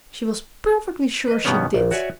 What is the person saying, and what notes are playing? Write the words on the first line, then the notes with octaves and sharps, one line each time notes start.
She was perfectly sure she did.
B4 D#5
G2 B2 D#3 G3 B3 C#4
A#1
F#4 C#5 D5 E5 G#5